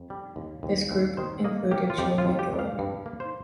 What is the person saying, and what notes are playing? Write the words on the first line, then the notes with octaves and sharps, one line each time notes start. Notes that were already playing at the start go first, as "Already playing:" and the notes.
This group included Julia Gillard.
Already playing: F2
G3
D#2
D#2
D#2
D#3 C5
A#3 D#5
A#3 G4
F4
F2 G4
F4
F2
G4
F2
F5
G2
A#3
C5